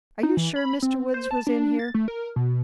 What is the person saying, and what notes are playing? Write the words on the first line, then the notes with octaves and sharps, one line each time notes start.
"Are you sure Mr. Woods was in here?"
D#4
E3
B5
C4
C5
A5
D4
A6
A3
A#4
B2